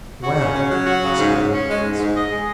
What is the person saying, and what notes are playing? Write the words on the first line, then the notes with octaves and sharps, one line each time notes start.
"Well!" exclaimed the Professor.
F#4
C#3
C#4
F#3
F#4
C#3
G#2
G#2
C#4
G#3
G#2
G#2
D#5
G#3